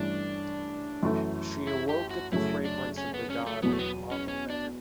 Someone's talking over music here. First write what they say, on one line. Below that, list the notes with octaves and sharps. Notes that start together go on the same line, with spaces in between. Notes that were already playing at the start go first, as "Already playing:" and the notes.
She awoke at the fragrance of the god and marveled at it.
Already playing: G2 E3 A3 C#4 D4
F#2 E3 A3 E4
E4
G4
F#4
F#2 C#3 F#3 A3 C#4 E4
D4
C#4
B3
C#4
A3
E2 B2 F#3 B3
A3
B3
C#4
C#4
D4